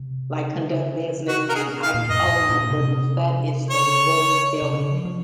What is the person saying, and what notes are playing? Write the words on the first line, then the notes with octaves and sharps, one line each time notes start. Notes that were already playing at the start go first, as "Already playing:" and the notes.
like, conduct business and I oh my goodness, that is the worst feeling.
Already playing: C3
C#3
D#3
C#3
D#3
C3
C#3
C3 F#4
A#4
G#4
A#2
C3 F5
A#2
F#2 D#5
A#2
A#2
C3
C#3 C#5
C3
C#3
F3
F3